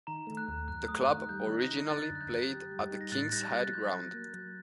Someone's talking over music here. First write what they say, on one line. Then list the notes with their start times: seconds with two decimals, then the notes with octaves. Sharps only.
The club originally played at the King's Head Ground.
0.07 D#3 A#5
0.27 A3
0.37 F#6
0.48 D#2
0.68 F#2 F#6
0.88 A3 D#6
1.09 D#3 F#6
1.20 F#6
1.29 G3 G6
1.50 D#4
1.60 G6 A#6
1.70 D#4
1.90 D3 F#6 A6
2.10 F#2
2.15 F#6
2.21 G6
2.30 F#2
2.51 G4
2.72 G3
2.91 D#4
3.01 A#6
3.12 A2 F#6 A6
3.32 G3 G6 A#6
3.52 G3 F#6 A6
3.73 F#3 G6
3.93 F#3
4.14 A#3
4.34 F#3